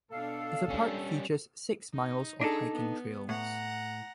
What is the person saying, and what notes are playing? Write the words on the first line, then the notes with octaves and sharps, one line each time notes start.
The park features six miles of hiking trails.
B2 D4 A4 F5
G3 C#4
D#4
D4 D#4 G#4 A4
B3
A2 F#5 A#5